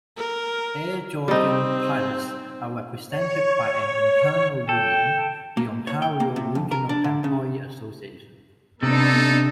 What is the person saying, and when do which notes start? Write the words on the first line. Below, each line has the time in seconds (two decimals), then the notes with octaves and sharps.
Air Georgian pilots are represented by an internal union, the Ontario Regional Employee Association.
0.17 A#4
1.28 G3 C4 D#4
3.09 C#5
4.69 A4 G5
5.57 A#3
5.87 C#5
6.02 G5
6.20 A#3
6.36 C3
6.55 F2
6.71 A#4
6.89 D4
7.04 D3
7.24 C#3
8.83 C3 B3 D4 D#4 A4